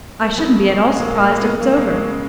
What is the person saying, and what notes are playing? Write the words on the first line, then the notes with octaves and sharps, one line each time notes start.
"I shouldn't be at all surprised if it's over."
B2 A#3
F#3 G#3 B3
B2
F#3
A#2 G#3
F#3 A#3
A#2 G#3
F#3 G#3
B3
B2 A#3
F#3 A#3
B2 G#3
F#3
C#3